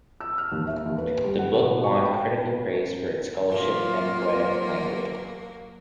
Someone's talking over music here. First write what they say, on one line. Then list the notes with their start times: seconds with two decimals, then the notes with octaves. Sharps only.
The book won critical praise for its scholarship and poetic language.
0.20 E6
0.38 F6
0.52 D#2
0.67 E5
0.86 D#2
0.98 B4
1.24 G3
1.38 F#5
1.61 B2
1.84 C#6
2.05 G5
3.50 F#3 A#3 F4